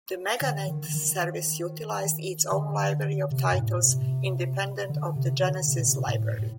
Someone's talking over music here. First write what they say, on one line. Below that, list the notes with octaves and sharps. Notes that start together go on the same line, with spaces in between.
The Meganet service utilized its own library of titles, independent of the Genesis library.
D3
D#3
D#3
D3
C3
G2
A2
A#2
C3
D3
C3
D3
C3
A#2
C3
A2
A2